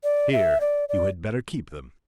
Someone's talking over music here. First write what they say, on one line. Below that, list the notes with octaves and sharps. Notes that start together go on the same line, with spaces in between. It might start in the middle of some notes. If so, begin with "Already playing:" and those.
'Here, you had better keep them!
D5
E5
D5
D5